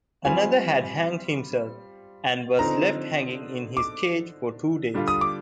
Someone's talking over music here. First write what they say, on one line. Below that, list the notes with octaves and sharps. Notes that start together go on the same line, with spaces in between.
Another had hanged himself, and was left hanging in his cage for two days.
G3 C4 F4 G#5
D3 F3 C4 D#4 A#5
D6
D3 G3 D4 F4
D#6
D6